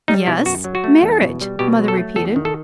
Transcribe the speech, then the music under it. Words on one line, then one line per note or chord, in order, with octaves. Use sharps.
"Yes, marriage!" mother repeated.
G3 D#4
B2 E4
F#2 F#4
F#3
F#4
A3
E2
B2
G3
B2 G4
F#3
A4
A3
E2 A4
D#3
A4